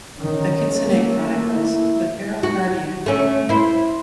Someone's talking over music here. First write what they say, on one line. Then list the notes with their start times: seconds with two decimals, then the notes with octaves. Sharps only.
The Kitsune Chronicles: The Feral Guardian.
0.19 D#3 C#4
0.73 A3 A#3
1.54 E4
2.43 F#4
3.06 A3 C#4
3.49 E4 C5